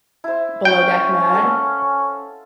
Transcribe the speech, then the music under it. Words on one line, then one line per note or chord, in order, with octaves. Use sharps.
Below Deck Med,
E4 C5
C#4 G5
A4 F5 F#5